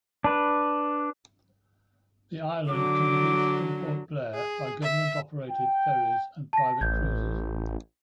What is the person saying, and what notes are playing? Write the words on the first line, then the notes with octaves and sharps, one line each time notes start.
The island can be reached from Port Blair by government-operated ferries and private cruises.
D4 B4
D3 F#3 D4 D6
G#4
E5
G5
A5 A#6
A1 G6 G#6